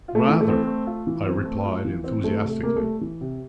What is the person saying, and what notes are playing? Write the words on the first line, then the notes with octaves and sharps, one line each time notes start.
"Rather!" I replied enthusiastically.
F4
A3
E3
A3
C4
A3
F4
E3
C4
A3
F4
E3
C4
E3 A3
C3
A3
C3 A#3
A3
G3
E3
C3